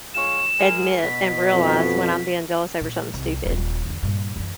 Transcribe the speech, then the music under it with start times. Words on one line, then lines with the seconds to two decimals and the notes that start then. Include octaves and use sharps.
admit and realize when I'm being jealous over something stupid,
0.14 G#3 F4 C#5 E7
0.58 G#3 G#4 A#4
1.01 B2 B6
1.53 F2
2.81 A#2
3.14 C2
3.45 D#1 F4
3.85 E2 D3
4.03 G2 A#2
4.36 F#2 E3